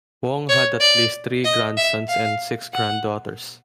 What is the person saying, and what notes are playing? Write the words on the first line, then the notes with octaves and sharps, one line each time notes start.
Wong had at least three grandsons and six granddaughters.
C#5
D5
D#5
E5
F5
F#5